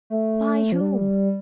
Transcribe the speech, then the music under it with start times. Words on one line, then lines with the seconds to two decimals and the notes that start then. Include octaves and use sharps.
"By whom?"
0.10 A3
0.72 F3
0.81 G3